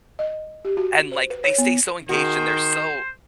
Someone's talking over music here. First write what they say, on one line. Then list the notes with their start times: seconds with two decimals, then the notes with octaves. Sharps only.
and, like, they stay so, engaged and they're so,
0.19 D#5
0.65 G4
0.77 F#4
1.12 C5
1.30 B4
1.44 C#5
1.58 B3
2.09 D#3 F#4 G#4 C5